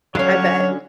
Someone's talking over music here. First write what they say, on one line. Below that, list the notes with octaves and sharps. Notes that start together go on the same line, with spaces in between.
I bet.
D3 F#3 C#4 F#4 C#5 F5